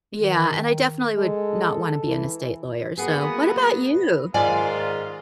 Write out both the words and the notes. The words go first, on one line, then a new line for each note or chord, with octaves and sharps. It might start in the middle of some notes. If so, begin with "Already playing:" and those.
Yeah, and I definitely would not wanna be an estate lawyer, so, what about you?
D#3
G#3 A4
E3
F#3 A#3 B3 G#4
G#2 D#3 F4 D5 F5 G#5